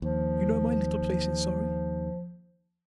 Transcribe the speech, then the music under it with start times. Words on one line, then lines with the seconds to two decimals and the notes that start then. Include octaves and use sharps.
You know my little place in Surrey?
0.02 D#2 F3